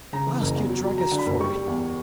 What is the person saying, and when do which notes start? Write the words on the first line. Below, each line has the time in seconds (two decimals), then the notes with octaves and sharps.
Ask your druggist for it.
0.13 C#3 A#5
0.27 E3
0.41 F#1
0.56 E2
0.69 F#3
0.83 F#3
0.97 F#3 A#5
1.12 D3
1.18 B5
1.26 F#1
1.40 G3 C#6
1.54 G3
1.68 E2